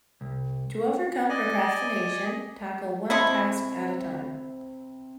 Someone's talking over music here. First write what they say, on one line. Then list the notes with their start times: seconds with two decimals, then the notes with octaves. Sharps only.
To overcome procrastination, tackle one task at a time.
0.21 C2
1.29 D5 D#5 G#5
3.10 C3 G#3 A3 C4 E4 B5